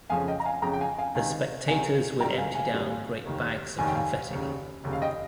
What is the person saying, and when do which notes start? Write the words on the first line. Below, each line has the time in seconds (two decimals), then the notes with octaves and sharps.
The spectators would empty down great bags of confetti.
0.10 F2 C#3 F3 G#3 C#4 F5 G#5
0.28 D#5 G5
0.40 A#5
0.45 F5 G#5
0.62 F2 C#3 F3 G#3 C#4 G5 A#5
0.73 G5
0.81 F5 G#5
0.98 F5 G#5
1.15 C#2 C3 D#3 F5 G#5
1.68 C#2 C3 D#3 F5 G#5
2.20 G#1 G2 G3 G5 A#5
2.38 F5 G#5
2.55 F5 G#5
2.73 G#1 G2 G3
3.26 F1 D#2 D#3
3.78 F1 D#2 D#3 G#5
3.88 G5
3.95 F5 G#5
4.31 F1 D#2 C#3
4.84 F1 D#2 C#3
4.93 F5
5.02 D#5 G5